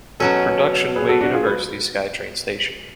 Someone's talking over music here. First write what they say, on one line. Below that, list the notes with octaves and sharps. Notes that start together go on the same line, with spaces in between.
Production Way-University SkyTrain station.
B2 F#3 C#4 F#4 A4
G#4 B4
F#4 A4
D4 F#4
F4 G#4
B4